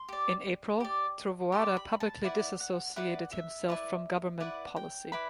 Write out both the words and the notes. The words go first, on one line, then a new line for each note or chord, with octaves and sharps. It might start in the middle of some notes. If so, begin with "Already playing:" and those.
In April Trovoada publicly dissociated himself from government policy.
Already playing: C6
G4 D5
G4 D5
G4 D5 C6
B5
A5
E4 B4 D5 F#5
F#5
E4 B4 D5 F#5
E5
E4 B4 D5
E4 B4 D5 F#5
G5
E4 B4 D5 B5